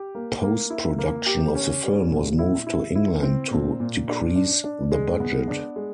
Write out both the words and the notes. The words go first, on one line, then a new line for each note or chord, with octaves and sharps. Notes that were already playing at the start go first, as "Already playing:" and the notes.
Post-production of the film was moved to England to decrease the budget.
Already playing: G4
A#3
A#3
E4
A#3
G4
C#4
G3
A#2
E4
E4
E4
C4
A#2
A#2
D4
D4
D4
G#3
B3
D4
G#3